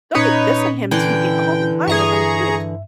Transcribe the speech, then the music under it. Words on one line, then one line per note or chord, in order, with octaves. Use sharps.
don't be dissing him to me all the time. I'm going, “Dude"
A#2 C#4 D#4 B4 C#5
D3 E3 G5
G2 G#4 E5 A#5 C#6